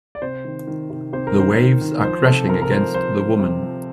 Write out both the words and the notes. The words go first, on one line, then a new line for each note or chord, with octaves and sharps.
The waves are crashing against the woman.
D5
C3 C5
D#3
D#3
C3
C3 C5
A#4
D#3 C5
D#3
D#3
F3 C5
C3 A4
C3 A#4
A#4
F3 C5
F3 C5
F3
C3
F3